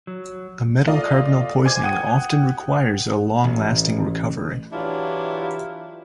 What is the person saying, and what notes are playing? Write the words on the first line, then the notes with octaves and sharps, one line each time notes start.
A metal carbonyl poisoning often requires a long-lasting recovery.
F#3
A3 F4 D5 D#5
C5 G#5 D6 G#6
F#5 G5 D#6 D#7
A1
E3 F#3 D4 E4 F4 G4